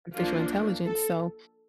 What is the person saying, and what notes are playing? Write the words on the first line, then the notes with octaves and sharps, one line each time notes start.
artificial intelligence, so,
F3 A#3 D4 F4
A4